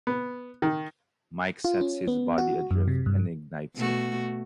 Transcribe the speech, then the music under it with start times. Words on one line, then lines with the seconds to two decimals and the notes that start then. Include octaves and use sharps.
Mike sets his body adrift and ignites it.
0.07 B3
0.62 D#3
1.65 F4
1.81 C#4
2.08 B3
2.38 F#4
2.71 F#2
2.88 C3
3.06 G2
3.75 B2 A3 F#4